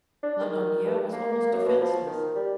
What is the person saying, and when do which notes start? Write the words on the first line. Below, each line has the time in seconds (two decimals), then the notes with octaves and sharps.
Laudonniere was almost defenceless.
0.23 D4
0.41 D#3
0.84 G2
1.12 A#3
1.32 A#3
1.52 F#2
1.65 B2
1.80 F3
2.06 D#3
2.35 G3